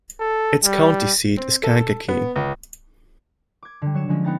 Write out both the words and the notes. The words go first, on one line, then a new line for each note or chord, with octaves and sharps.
Its county seat is Kankakee.
A4
G3
C4
A4
B3
C#2
D6 G#6
D3 G3
F#3 C#5 E7
D3 F3 G#3 C#4
B3 D#4 G5 A#5 A6